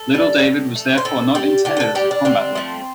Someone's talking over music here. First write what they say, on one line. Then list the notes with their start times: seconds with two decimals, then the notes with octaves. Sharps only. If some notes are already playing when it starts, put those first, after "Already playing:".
Little David was therefore not intended as a combat weapon.
Already playing: A4
0.15 G3
0.46 A2
0.75 A3
0.98 C5
1.05 A2 A4
1.35 G3 G4
1.65 D3 G4
1.77 C5
1.80 A4
1.95 G3 G4
2.11 D4
2.25 D3 C4
2.55 F3 A3